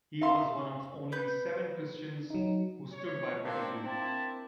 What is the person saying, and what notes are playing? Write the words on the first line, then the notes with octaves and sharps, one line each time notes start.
He was one of only seven Christians who stood by Pettigrew.
E5 F5 C6
B4 G6
F#3 D#4
C#5
A#3 C4 D4 E4 C5
C4 A5